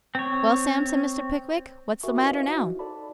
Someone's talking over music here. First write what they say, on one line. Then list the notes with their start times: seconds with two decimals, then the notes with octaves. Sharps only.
'Well, Sam,' said Mr. Pickwick, 'what's the matter now?'
0.15 C4 C#5
2.03 F#4 G4 A#4 E5 G#5 C#6
2.22 E4 B4 C5 D#5 F5
2.47 D#4 F#4
2.79 A4 D5 A5 B5